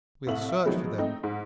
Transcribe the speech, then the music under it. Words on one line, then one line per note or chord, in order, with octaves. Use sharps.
We'll search for them.
C2 A2 E5 F#7
E5
D#3 F3 F#3 G#3 B3
A3 C4 D#4
G#2